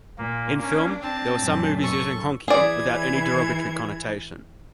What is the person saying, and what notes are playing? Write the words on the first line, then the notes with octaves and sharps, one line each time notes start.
In film, there were some movies using "honky" without any derogatory connotation.
A#2 A#3
A#3 C#4 D4
C4 A5
F#2 A#2
A4 C#6
E3 G#4 D5 G#6